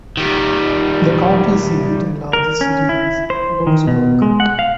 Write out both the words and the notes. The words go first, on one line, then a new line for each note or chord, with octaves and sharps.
The county seat and largest city is Lordsburg.
D#3 G3
A#4
C#4
E4
C5
D#3
B2
G#3
F#5
F5